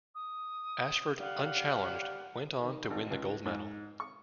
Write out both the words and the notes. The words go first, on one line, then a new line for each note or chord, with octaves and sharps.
Ashford, unchallenged, went on to win the gold medal.
D#6
G3 F5 F#5
D#3
G#1
C#2
G#2
C#6